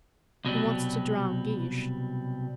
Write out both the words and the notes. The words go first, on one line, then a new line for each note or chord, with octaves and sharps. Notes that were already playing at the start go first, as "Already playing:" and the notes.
"He wants to drown Guiche."
C2 B2 F#3 G3